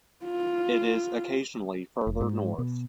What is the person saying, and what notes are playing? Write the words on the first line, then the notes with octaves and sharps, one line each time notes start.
It is occasionally farther north.
F4
F1
G#2
B2